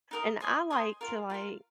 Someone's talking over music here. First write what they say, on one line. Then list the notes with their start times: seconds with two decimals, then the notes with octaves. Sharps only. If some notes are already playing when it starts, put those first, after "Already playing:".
And I like to, like,
0.11 D#4 A#4 G#5 D#6
0.40 C5 D#5 G#5 D#6
0.70 C5 D#5 G#5 D#6
1.01 F4 A#4 F5
1.30 F4 A#4 F5